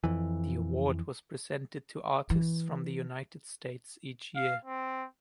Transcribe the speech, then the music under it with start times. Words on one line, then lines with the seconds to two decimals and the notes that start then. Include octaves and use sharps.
The award was presented to artists from the United States each year.
0.04 F2 E3
2.30 E3
4.36 F5
4.65 C4